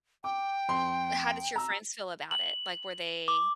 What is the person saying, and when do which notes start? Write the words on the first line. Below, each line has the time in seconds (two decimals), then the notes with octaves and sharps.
How did your friends feel about it? Like, were they,
0.24 G5 D6
0.69 F2 C6
1.56 A#5 E6
2.31 F#7
3.28 D6